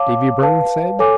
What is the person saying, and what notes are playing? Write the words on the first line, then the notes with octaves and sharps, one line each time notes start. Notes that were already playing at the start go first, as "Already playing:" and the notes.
Davy Byrne said.
Already playing: C#5 F5 A5 D6
B4 F5 A5
A4 C#5 G#5 D6